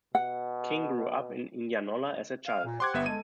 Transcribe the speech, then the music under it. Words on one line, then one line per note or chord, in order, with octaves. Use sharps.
King grew up in Indianola as a child.
B2 F#5
F5
A#2
G4 C5 F#5 C6 D6 G#6
G1 B3 E5
G#3 A4 D#7